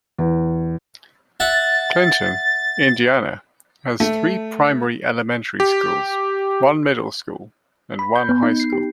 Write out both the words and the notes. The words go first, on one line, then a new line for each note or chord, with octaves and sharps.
Clinton, Indiana has three primary elementary schools, one middle school and one high school.
E2
E5 F#5 A6
A3
G4
B5
G6
B3
D#4
C7
G4